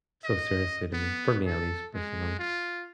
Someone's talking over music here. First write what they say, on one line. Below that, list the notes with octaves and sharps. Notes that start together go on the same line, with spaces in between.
so seriously to me for me, at least, personally.
D#5
B3
A4
G#3
F4